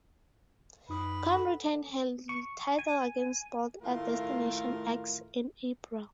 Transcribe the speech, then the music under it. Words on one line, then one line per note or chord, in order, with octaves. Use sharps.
Kong retained her title against Bolt at "Destination X" in April.
F#2 D#4 B4 D#6
A4 F#5
C#6
G#5
A2 D#3 A3 F4 A#4 F5